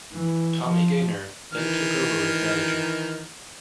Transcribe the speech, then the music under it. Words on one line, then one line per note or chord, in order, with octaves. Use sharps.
Tommy Gaynor then took over as manager.
E3
F3
D#3 E3 F6